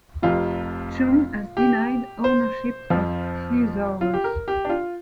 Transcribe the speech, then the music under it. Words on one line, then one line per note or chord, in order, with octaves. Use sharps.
Cheung has denied ownership of Thesaurus.
F1 F2 C3 F4
G4
C5
F2 F3
F4
G4
A#4
G4
D4
F4